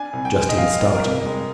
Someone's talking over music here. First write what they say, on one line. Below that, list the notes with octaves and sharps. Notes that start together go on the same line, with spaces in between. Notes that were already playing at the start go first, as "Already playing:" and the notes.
Justine started.
Already playing: D4 G#5
C2
G5
G#3
D#5
A#2 F5
D4
A#4
C2
G#3